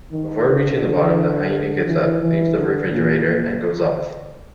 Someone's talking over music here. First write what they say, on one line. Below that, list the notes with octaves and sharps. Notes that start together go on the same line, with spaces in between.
Before reaching the bottom, the hyena gives up, leaves the refrigerator, and goes off.
D#3
D3
E3
E3
D3
A#2
A#2